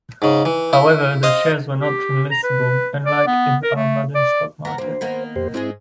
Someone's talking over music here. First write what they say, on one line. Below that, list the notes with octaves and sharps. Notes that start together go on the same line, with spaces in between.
However, the shares were not transmissible, unlike in our modern stock market.
G#2 C#3
E3
E4
C5 D#5 F5
G4
A#5
B4
D5
B3
A#4
A3
D5
B3 A#4 A#5
D2 A#3 C5
D#3 A#3 B3
F2 G4 C5
G#2 G#3 C4 E4 G#4